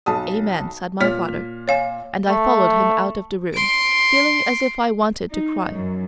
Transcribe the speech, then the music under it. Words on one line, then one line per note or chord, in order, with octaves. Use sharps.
"Amen!" said my father, and I followed him out of the room, feeling as if I wanted to cry.
B1 A5 D#6
A#2 C#5 F6 B6
C#5 F5 G#5
A3
C6 D7
D#4
F#2